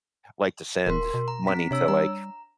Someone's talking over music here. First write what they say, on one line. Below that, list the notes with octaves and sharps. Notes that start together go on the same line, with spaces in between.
liked to send money to, like,
D#1 A#4 C6
B2
A#5
C4 A#5 B6
C3 D4 C#5 E6
G3 A#5